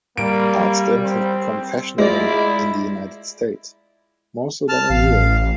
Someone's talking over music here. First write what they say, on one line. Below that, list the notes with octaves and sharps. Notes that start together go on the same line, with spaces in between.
Art stamps have become fashionable in the United States, more so than in Europe.
G3 A#3 D7
C4
G#3 E4 F4 D5
A5 F6
A1 F5